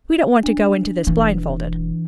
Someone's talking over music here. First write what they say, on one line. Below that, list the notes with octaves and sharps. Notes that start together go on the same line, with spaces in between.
"We don't want to go into this blindfolded."
D4
E1 E3